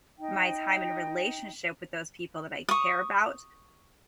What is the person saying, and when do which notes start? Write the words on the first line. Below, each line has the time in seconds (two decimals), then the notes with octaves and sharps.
my time and relationship with those people that I care about,
0.17 D#4 G5
2.69 C#6 D#6